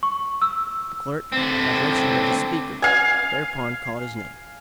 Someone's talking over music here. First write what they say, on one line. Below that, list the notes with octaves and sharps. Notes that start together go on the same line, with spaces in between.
The clerk, by direction of the Speaker, thereupon called his name.
C#6
E6
D3 C4
F5 G#5